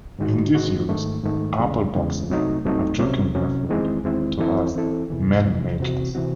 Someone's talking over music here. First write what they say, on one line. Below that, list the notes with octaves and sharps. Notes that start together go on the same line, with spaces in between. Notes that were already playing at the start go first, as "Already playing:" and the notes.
In this use Apple Boxes are jokingly referred to as "Man Makers".
G#2 D#3 G#3 D#4 F#4
G#2 D#3 G#3 D#4 F#4
G#2 D#3 A3
G#2 D#3 A3
E2 C#3 G#3
E2 C#3 G#3
C2 C3 F#3 A3 D#4
C2 C3 F#3 A3 D#4
C2 C3 F#3 C#4
C2 C3 F#3 C#4
E2 D#3 G#3 C4 E4
E2 D#3 G#3 C4 E4
E3 C4 E4 A4
E3 C4 E4 A4
E2 C3 E3
E2 C3 E3
C2 C3 E3 C4 F#4
C3 E3 C4 F#4